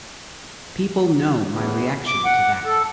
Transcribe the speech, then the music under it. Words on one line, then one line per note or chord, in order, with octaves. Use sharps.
People know my reaction to that.
E2
D6
F#5
A4